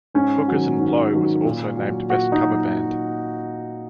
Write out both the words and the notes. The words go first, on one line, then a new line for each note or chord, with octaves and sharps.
Hookers N' Blow was also named Best Cover Band.
G#2 C#4
D#3 F#3
G#2
D#3 F#3
A#2
F#3
A#2 F#4
D#4
F#3